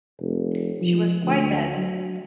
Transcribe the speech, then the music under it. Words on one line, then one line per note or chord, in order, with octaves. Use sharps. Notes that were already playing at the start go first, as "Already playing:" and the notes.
She was quite dead.
F1
F3
D2
F#3